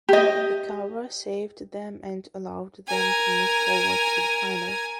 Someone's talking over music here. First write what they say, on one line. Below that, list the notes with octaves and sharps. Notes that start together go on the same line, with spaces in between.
The cover saved them and allowed them to move forward to the final.
G4 D#5
A#4 G#5